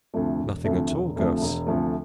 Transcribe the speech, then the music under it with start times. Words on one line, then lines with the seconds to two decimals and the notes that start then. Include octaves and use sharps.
"Nothing at all, Guss."
0.14 D2 C3 F3 A3
0.39 E1
0.64 D2 C3 F3 A3
0.90 E1
1.16 D2 C3 F3 A3
1.41 E1
1.66 D2 C3 F3 A3